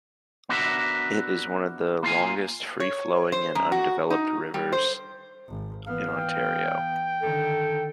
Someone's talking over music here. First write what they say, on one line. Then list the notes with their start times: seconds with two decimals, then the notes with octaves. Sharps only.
It is one of the longest free-flowing and undeveloped rivers in Ontario.
0.49 B3 D4 F#4 A#4 E5
2.03 A#3 F4 F5 G#5
2.80 C#5
3.32 C5
3.55 F#2
3.72 F#4
4.10 D#4
4.54 G3
4.72 C5
5.48 G#1
5.87 E3 B3 F5
6.17 G5
7.22 D3 D#3 A4